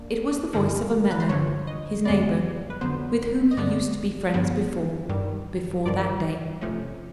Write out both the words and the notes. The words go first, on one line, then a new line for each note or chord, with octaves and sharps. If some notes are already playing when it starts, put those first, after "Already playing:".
It was the voice of Ammella, his neighbor, with whom he used to be friends before--before that day.
Already playing: A#3 D4
G2 D3 F3
B4
C5
G2 D3 F3 C#5
D#5
F2 D3 F#3 B3 D5
B4
F2 D3 F#3 B3 C5
D#5
G2 D3 G3 B3 D5
G2 D3 G3 B3
G2 D#3 G3
G2 D#3 G3 D5
C3 F3 A3 C#4